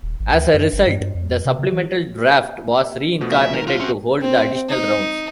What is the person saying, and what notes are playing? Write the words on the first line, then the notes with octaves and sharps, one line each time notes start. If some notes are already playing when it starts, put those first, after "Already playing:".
As a result, the Supplemental Draft was re-incarnated to hold the additional rounds.
D#1
G#1
D2
F#2
G1
G2
G2
F2
F2
C3
C#3
E3
B2 F3 A3
E5
D#3 A#4
C2 F4
C4 C#4 F#4 E5 C6
C4
D#4